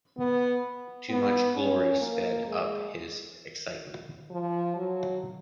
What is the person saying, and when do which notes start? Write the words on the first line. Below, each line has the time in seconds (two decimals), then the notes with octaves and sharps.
Too much glory sped up his excitement.
0.18 B3
1.09 B3
1.56 C#4
2.02 A#3
2.47 G#3
4.31 F3
4.76 F#3